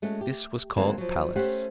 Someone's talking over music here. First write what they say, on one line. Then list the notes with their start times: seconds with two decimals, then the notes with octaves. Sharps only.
This was called Pallas.
0.02 G#3 A3 C#4 F#4
0.21 G4
0.76 D3 F#3 G#3 A#3 C4
0.98 F3 F#3
1.36 A3 C#4 G4 C5 F#5